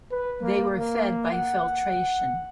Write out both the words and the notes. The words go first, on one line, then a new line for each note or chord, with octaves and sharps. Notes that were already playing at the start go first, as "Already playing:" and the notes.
They were fed by filtration.
B4
A#3
A#3
F#5